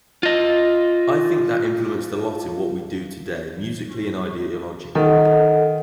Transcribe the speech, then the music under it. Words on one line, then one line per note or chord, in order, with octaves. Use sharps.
I think that influenced a lot in what we do today musically and ideologically.
F4 D#5
D#3 A4 D#5 F#5